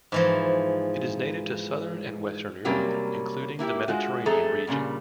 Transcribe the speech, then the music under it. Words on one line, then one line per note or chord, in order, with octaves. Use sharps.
It is native to southern and western Europe including the Mediterranean region.
G#2 E3 F3
C3 F#3 G3 A#3 C#4
A#3 E4 F4 G4
G#3 F4 F#4
F2 A3 G#4 A4 A#5
G2 A#2 C#3 G3